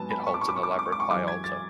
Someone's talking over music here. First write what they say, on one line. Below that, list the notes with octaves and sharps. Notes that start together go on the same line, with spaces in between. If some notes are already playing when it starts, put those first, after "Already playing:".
It holds an elaborate high altar.
Already playing: G#2 F#3 B3 G#5 A5
B5
C#6
D6
C#6
D6
C#6
D6
C#6
D6
C#6
D6
C#6
F#2 E3 G#3 D6
G#6
A6